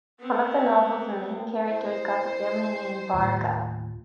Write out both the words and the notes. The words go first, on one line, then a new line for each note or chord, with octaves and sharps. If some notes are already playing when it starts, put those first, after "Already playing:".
One of the novel's main characters got the family name "Barga".
B3 C4
E4 C5
D#2 A2 F4